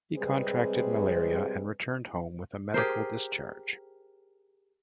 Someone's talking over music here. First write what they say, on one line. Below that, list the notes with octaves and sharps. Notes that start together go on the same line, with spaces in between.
He contracted malaria and returned home with a medical discharge.
C3 G3 G#3 C4 G#4 B4
G4 G#4 A#4 C5